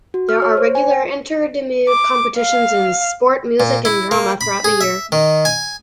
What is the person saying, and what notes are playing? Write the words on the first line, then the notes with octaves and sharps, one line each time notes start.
There are regular inter-Deme competitions in sport, music and drama throughout the year.
F#4
F6
C#5
C5
G#5
G5
D6
F5
A#2
E4
A#3
B5
G#4
E5
D#3
G#5